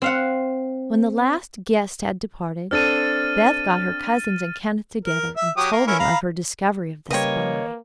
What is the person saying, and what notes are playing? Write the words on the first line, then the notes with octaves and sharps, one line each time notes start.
When the last guest had departed Beth got her cousins and Kenneth together and told them of her discovery of the spy.
C4 F5 F#5
C4 D4 A4 F6 A6 D#7
A#4
E5 E6
F#3 G4 D#6
A#3 A#4
C#4 E4 A#4
F5 A#5 B5
C#3 G3 A#3 B4 C#5 D#5 G5